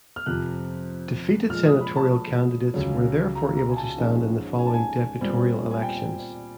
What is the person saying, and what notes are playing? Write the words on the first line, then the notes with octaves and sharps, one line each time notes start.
Defeated Senatorial candidates were therefore able to stand in the following Deputorial elections.
F6
F2 C3 F3 F#6
A#2 F3 G#3 F6
D#6
B5
A5
C#2 C#3 F#3
A#5
A#5
G#5
A5
G#2 F3 G#3 C#4
G#5
A5
G#5
A#2 G3 C4
G#5
G5